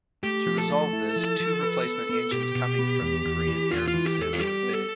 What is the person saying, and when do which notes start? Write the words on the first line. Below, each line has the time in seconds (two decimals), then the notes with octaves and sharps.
To resolve this, two replacement engines coming from the Korean Air museum were fitted.
0.24 A3 G4
0.46 F3
0.58 A4
0.70 A3
0.93 E4
1.16 F3
1.40 F3
1.62 B4
1.85 B3
2.09 B3
2.32 B2 G4
2.55 B2
2.79 B3
3.02 E2
3.25 E2
3.48 E3
3.71 E2 F4
3.88 F4
3.94 E3
4.06 G4
4.18 E2 A4
4.33 F4
4.40 G3 G4
4.63 B3
4.75 A4